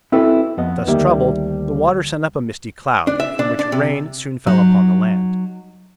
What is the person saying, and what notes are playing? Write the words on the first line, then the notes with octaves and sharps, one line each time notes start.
Thus troubled, the water sent up a misty cloud, from which rain soon fell upon the land.
C4 E4 F#4 A4 B4
F2 B3 D#5
D2 D#3 G3 A#3 G4 E5
D4
E5
D4
D4
C3
F#3 D#4